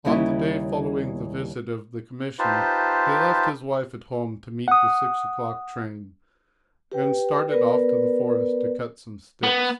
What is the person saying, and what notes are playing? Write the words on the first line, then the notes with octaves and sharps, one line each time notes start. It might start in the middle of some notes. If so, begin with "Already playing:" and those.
On the day following the visit of the commission he left his wife at home to meet the six o'clock train, and started off to the forest to cut some sticks.
D#2 C#3 G3 E4 C#5
D#4 F4 G4 B4 C5 A5
F#5 D#6
G4 B4 G5
B3 A#4 B4 D5
B3